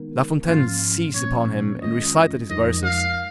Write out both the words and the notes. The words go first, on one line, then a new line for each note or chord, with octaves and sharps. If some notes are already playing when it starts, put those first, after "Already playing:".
La Fontaine seized upon him, and recited his verses.
Already playing: D#3 G#3 B3 D#4 A#4
G#2 F3 A#3 C#4 F4
A#2 F3 A#3 C#4 C#5
F#2 D#3 G#3 C#4 F4 D#5
F2 F3 G#3 D#4 A#4 D#5
F5